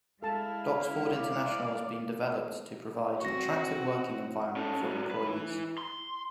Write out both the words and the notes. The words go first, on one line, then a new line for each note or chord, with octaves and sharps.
Doxford International has been developed to provide an attractive working environment for employees.
G#3 E4 A4 F5 A5
D5
C4 F#4 C#6 A#6
C#4 A4
G#2 F#3
B4
E3 E4
C6